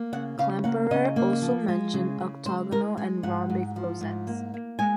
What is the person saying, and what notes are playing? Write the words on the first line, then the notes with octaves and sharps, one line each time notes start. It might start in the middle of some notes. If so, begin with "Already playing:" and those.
Klemperer also mentioned octagonal and rhombic rosettes.
Already playing: A#3
C#3 F#5
C#3 F5
A#3 F#5
C#3 D#5
A#3
F3
G#3
C#3
C#3
G#3 C5
G#3 A#4
G#3 G#4
G#2 F#5
G#2
F3
G#2
A#3
A#3
G#3 G#5